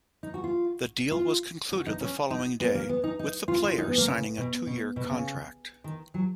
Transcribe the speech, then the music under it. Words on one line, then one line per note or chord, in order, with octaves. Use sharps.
The deal was concluded the following day, with the player signing a two-year contract.
D#4
F#4
F4
F4
F#4
D#4
C#4
D#4
B3
A#3
B3
D#4
D#4
F4
F4
D#4
B3
A#3
C#3
B2
B2
B2
C#3
D#3
F#3